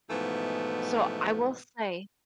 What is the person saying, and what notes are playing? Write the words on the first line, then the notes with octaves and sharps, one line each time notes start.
So, I will say
G#2 B2 E3 F3 A3 B3